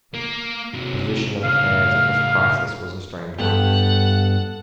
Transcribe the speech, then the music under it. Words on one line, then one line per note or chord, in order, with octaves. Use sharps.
The position of affairs at this crisis was a strange one.
A#3
C3 F#3
A2 C#3 F5
G2 B3 G4 A4 F#5